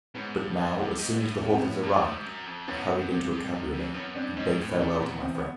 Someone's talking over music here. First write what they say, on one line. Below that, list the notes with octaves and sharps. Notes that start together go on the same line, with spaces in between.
But now, as soon as the horses arrived, I hurried into a cabriolet, and bade farewell to my friend.
G#2 B3 C#4
G2
F2
G2
G#2
A2
C#4
C4
B3 C#4
B2
A#2
A2
G#2
F#2
F2
F#2 B3 C#4
G2
G2 B3
G2
G2 C4
G2
F#2
F2
F#2 B3 C#4
G2 C4 D4
G#2 C#4 D#4
A2
B3 C#4
A#2 C4
A#2 B3
E2 C4
B3